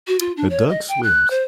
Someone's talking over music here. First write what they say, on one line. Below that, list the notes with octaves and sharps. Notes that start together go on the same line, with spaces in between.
A dog swims.
F#4
F4
D4
C#5
D#5
G5
F#6
C5